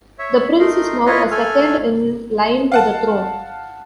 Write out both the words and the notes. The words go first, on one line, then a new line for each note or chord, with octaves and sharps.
The Prince is now a second in line to the throne.
C#5 E5
A3 D#4 A#4 C6
E4 F4 B4 C#5 D#5
A3 A4 G#5 F6
F5 F#5 A5